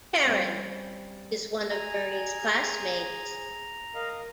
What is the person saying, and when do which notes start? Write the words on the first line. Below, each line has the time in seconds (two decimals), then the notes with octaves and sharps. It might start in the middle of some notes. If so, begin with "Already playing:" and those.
Karen: is one of Bernie's classmates.
0.25 G3 C4 C#4
1.71 G#4 G#5 A#5
3.95 A#4 D#5 F5